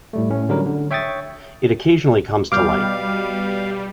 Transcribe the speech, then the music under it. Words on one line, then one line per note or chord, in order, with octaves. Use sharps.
It occasionally comes to light.
A2 G3 A3
A2 C#4
D3 F#3 G3 C#4 A#4
D3
C#5 E5 G5 C#6 D#6 A6
B2 G3 F5 D6 F6 G6